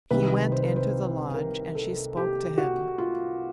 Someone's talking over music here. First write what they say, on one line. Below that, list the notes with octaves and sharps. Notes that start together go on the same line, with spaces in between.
He went into the lodge, and she spoke to him.
C2 C3 D#3 B4
C5
B4
C5
A#4
A4
G4
F#4
F4